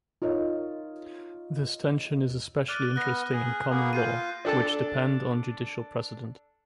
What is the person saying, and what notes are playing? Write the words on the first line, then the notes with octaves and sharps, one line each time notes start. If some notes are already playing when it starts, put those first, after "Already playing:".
This tension is especially interesting in common law, which depend on judicial precedent.
D#4 F4 A#4 C#5 D#5
D5 F6 F#6 D#7
B3 F#6 A#6
G#4
A#3 B3 G#4
F4 G6 C7 D#7
D4 A4 A5